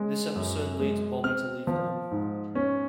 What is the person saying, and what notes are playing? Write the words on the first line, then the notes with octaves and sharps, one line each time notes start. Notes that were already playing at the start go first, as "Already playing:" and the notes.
This episode leads Bobby to leave home.
Already playing: G#3 C#4
F#2
G#3
C4 F6
F3
G#2
C#4